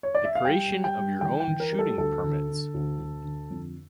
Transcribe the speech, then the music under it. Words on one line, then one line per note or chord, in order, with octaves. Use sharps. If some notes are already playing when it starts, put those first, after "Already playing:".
The creation of your own shooting permits.
C#5
D5
E5
F5
G3 G5
G3
G5
G3
E3 G5
G5
E3
A#4
G3
A4
D2 A4
D3
D3
D2
D2
D3
F2